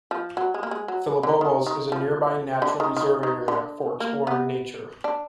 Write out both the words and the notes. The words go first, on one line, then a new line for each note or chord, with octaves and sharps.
Filobobos is a nearby natural reserve area for exploring nature.
F3
F#3
G#3
A#3
G#3
F#3
D3
D#3
D#3
F3
D3
D#3
D#3
D#3
D3
A#3
B3
D4